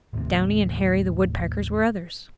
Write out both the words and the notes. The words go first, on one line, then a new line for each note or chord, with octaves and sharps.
Downy and Hairy the Woodpeckers were others.
A1 D#2 A2 C3